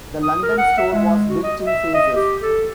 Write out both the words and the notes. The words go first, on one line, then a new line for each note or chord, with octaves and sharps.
The London store was built in phases.
D#6
A#4
F#5
E5
G#3
F#4
D#5
E5
D#5
G4
A4